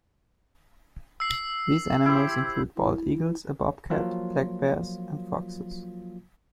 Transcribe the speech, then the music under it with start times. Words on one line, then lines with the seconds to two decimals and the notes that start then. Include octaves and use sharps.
These animals include bald eagles, a bobcat, black bears and foxes.
1.20 E6 C7
2.06 E4 G4 C5
2.76 E4
3.90 F3 F#3 A#3 F4